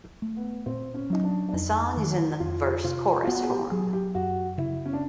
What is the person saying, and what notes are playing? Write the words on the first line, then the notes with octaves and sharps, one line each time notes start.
The song is in the verse-chorus form.
A3
B3
A#2 C4
C#4
F#3 D#4
D4
D4
F2 D#4
D#3
F2 F4
C3 F4
F4
B3 F#4
G#4
G4
F#3 G#4
G4
F#2 F#4
C#3 E4
C#4
D4